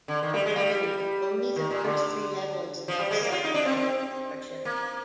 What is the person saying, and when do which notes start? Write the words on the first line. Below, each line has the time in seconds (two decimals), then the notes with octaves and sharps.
For brevity, only the first three levels of subclades are shown.
0.08 D3
0.23 D#3
0.34 G3
0.46 G#3
0.56 G3
1.56 D#3
1.71 A#2
1.85 D3
2.88 F3
2.99 G3
3.11 G#3
3.21 A#3
3.32 F4
3.44 D#4
3.54 D4
3.65 C4
3.77 C4
4.65 A#3